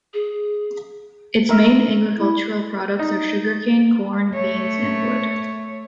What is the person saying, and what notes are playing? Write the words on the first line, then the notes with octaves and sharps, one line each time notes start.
Its main agricultural products are sugar cane, corn, beans, and wood.
G#4
A#4 E5
E4
D#4
A3 C#5